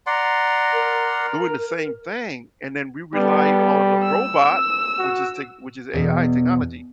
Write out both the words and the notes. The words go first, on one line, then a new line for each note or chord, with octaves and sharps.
doing the same thing. And then we rely on the robot, which is tec which is AI technology
D5 F#5 A#5 C6
A#4
G3 B3 A4
E6
F#4
E2 B2